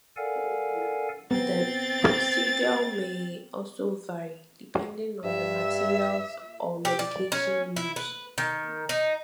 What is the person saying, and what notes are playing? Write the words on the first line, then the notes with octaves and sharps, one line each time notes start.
The procedure may also vary depending on the materials or medication used.
A4 A#4 D5 F5 F#5 G#5
B3 C4 A6
G2 E5
G4
D5
C#4
E4
B4
D#3
D#4